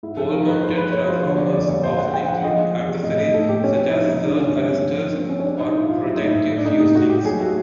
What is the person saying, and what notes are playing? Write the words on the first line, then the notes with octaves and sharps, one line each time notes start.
Pole-mounted transformers often include accessories such as surge arresters or protective fuse links.
G#2 E4
F3 A4
F3 A#4
G#2 B4
F3 C5
G#3 B4
G#3 C#5
F3 C5
D3 C#5
F2 D5
G3 D5
F2 C#5
A#2 C5
G#3 F#5
G#3 G5
F3 F#5
F3 D#5
G#3
E2
C3
A2 D#5
A3 D#5
A2 A4
A2 G4
C3 C#4
F3
E4
F3 D#4
C#2 D#4
D3 D4
G2 C#4
G3 C4
G2 C#4
F3
G2
F3 C4
G#3 C#4
C#4
G3 D4
A#2 D#4
A#2 E4
A#2 F4
F#3 E4
A2 D#4
E4
A2
A2
D4
A2 D#4
A2 D#4
A2 F#4
G3 G4
F#3 G#4
A3 F#4